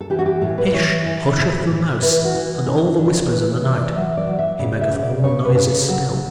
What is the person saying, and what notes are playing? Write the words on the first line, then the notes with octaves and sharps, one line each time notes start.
Hish husheth the mouse and all the whispers in the night; he maketh all noises still.
A4
E3 G4
F#4
G4
A2 A4
B4
E3 C#5
E3
A2
A2
E3 B4
F#4
E3
E3 C#4
C#4
C#3 D4
C#5
E3 B4
C#5
E3
D5
D5
F#3 E5
D5
F#3
E5
C#3 D5
E5
C#3
D5
C#3 C#5
B4
C#3
A4
F#3 A4